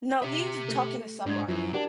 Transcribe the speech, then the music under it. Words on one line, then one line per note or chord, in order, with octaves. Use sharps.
No. He's talking to somebody.
G4 E5
A3
G#2 D4 G#6
F#2 F3 E4
D4 G4 A#4 A5